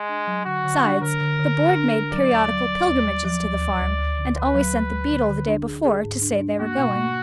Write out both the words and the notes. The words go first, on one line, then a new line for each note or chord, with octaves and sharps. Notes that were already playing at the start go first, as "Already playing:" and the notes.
Besides, the board made periodical pilgrimages to the farm, and always sent the beadle the day before, to say they were going.
Already playing: G#3
D4
F#3
D3 F#4
D3
D4
D3 A#4
D3
D3
D3
D4
D3
F#3 D5
D#2
F#3
F#3
D#2
F#3
F3 D5
D2
D2
D2
D2
D3
D2 B4
F#3
D2
D2
D3
D3
D4
G#4
G#4
G#2
D4
D4
A#3 F#4
B2
A#3